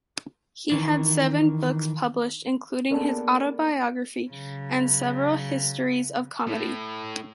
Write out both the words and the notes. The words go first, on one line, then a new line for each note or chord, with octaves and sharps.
He had seven books published, including his autobiography and several histories of comedy.
D#3 E3 D4
A#3 B3 D4 G#4 A4
C#3 F#3
A2